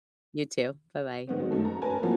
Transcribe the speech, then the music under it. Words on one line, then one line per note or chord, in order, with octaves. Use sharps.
You too, bye-bye.
G#2 D#3 B3 C4
F#3 G#3
F#2 A3 A4
A#5
C#4 A#4 B4 G#5 A5
E3 F3 A#3 C4 F4 F#4